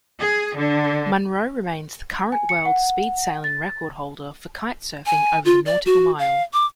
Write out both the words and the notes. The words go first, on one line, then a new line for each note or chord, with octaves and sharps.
Munro remains the current world speedsailing record holder for kitesurfing over the nautical mile.
G#4
D3
G#5
C#7
F#5
A6
G#5
F4
D5
F#4
F5
D6